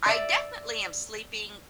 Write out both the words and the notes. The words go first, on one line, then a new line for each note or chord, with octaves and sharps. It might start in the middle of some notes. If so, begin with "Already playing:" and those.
I definitely am sleeping
D5 E5